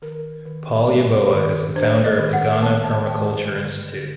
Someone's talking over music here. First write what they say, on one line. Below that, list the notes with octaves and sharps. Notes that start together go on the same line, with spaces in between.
Paul Yeboah is the founder of the Ghana Permaculture Institute.
D#3 A#4
D#3
G3
D#3
D4 C5
D#5
D#3
F#5
D#3 A5
A5
D#3 G5
D3
D3